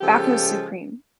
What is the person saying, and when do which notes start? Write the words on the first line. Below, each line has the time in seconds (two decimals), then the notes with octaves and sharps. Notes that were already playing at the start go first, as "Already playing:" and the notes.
Bathos supreme.
0.01 C#3 F3 G#3 F4 G4 A4